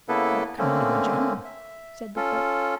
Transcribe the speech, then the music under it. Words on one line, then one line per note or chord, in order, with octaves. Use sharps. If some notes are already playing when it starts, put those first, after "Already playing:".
"What kind of a German?" said the cook.
C#3 A#3 B3 E4 A4 B4
D3 A3 A#3 C4 C#4
E5
C#4 F4 A4